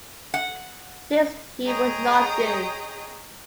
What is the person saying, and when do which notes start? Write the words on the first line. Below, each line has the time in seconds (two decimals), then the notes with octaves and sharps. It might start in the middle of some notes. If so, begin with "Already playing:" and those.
This he would not do.
0.34 F#5
1.66 G#4 C#5 D#5 G5 A#5 D#6